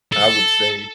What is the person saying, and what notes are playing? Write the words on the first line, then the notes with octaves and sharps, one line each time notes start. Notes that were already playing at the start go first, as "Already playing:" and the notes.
I would say,
A4